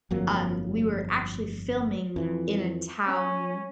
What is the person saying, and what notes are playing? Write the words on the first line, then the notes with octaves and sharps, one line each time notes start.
um, we were actually filming in a town
G1 F2 F#3 A#3
F2 E3
C#4